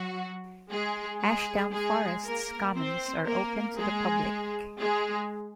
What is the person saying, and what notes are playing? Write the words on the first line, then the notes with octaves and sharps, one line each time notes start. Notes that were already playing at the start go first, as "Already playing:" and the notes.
Ashdown Forest's commons are open to the public.
Already playing: F#3 F#4
G#3 G#4
G#3 G#4
G#3 G#4
A#3 A#4
C4 C5
A#3 A#4
G#3 G#4
G#3 G#4